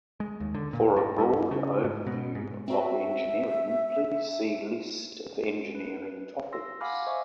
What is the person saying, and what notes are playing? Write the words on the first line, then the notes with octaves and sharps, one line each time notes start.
For a broad overview of engineering, please see List of engineering topics.
G#3
D#2
D3
A#2
G2
G2
C#3
G#2
B2
G#2
C4 F#4 E5
B4
C6 E6 A#6
F5 F#5 G#5 B5 D6 F6
C5 D#5 E5 G#5 C#6